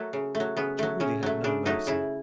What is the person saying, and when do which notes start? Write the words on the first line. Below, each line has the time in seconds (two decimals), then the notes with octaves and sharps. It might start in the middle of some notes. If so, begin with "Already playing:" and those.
But you really have no mercy.
Already playing: F#3 A3 A#3
0.13 C#3
0.35 A3
0.40 F#3
0.57 C#3 B3
0.79 F#3 A3
1.00 C#3 C#4
1.23 F#3 A3
1.44 C#3 D4
1.66 F#3 A3 D#4
1.87 C#3 E4